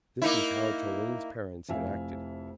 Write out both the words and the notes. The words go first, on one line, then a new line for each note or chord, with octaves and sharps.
This was how Toline's parents had acted.
A#3 D#4 E4
F1 F2 E4 E5 F5 G#5